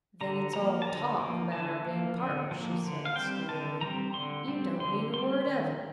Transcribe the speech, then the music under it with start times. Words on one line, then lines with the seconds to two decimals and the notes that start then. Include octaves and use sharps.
"Then it's all 'talk' about our being partners," she said, sneeringly. "You don't mean a word of it."
0.21 D3 A#5
0.53 F3 A#3 A#5
0.82 A5
0.87 D3 A#5
1.19 F3 A#3
1.52 D3 A5
1.85 F3 A#3
2.18 D3
2.51 F3 A#3
2.83 D3
3.05 F5
3.16 G3 C4 G5
3.49 D3 A5
3.81 G3 C4 A#5
4.14 D3 C6
4.48 G3 C4
4.80 D3 C6
5.13 G3 C4 C6
5.46 D#3